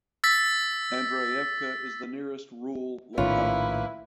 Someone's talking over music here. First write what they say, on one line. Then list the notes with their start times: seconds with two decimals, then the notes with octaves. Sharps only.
Andreyevka is the nearest rural locality.
0.24 E6 A6 B6
3.18 A#1 A2 D#3 A#3 C#4 E4 F4 B4